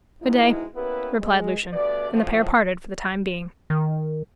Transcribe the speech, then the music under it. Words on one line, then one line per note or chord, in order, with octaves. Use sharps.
"Good-day," replied Lucian, and the pair parted for the time being.
G#2 B2 G#3 D#4 E4
A#3 B3 C#4 E4 G4 B4
G#3
G2 B2 A3 B3 D5
A2 F3
D#3